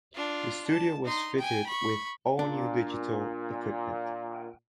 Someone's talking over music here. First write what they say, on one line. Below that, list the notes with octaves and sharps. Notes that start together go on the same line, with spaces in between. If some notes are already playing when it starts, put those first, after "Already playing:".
The studio was fitted with all-new digital equipment.
D4 F4
A5
D#4 C6
G5 G#5
B5 C#6
A#2 D4